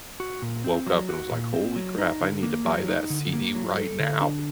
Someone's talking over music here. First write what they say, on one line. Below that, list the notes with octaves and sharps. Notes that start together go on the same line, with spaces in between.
woke up and was, like, "Holy crap, I need to buy that CD right now.
F#4
A#2
C4
F#3
F#4
A#2
C4
F#3
D#4
D3
A#3
F#3
D#4
D3
A#3
F#3
A4
D3
D4